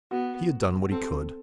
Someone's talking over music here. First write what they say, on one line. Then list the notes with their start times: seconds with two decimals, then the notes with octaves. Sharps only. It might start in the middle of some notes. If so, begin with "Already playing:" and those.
He had done what He could.
0.11 B3 F#4
0.91 C4 A4